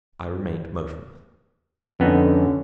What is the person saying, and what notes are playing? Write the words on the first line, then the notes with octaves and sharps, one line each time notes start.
I remained motionless.
F2 D3 B3 C#4 D#4